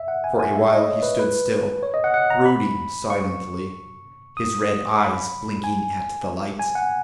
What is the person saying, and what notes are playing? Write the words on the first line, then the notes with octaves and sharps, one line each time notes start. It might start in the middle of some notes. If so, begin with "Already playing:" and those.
For a while he stood still, brooding silently, his red eyes blinking at the light.
Already playing: E5
F#5
G#5
G#5
E5
D#5
C#5
B4
B4
C#5
D#5
F#5
F#5
A#5
B5
C#6
D#6
B5
G#5
G#5
F#5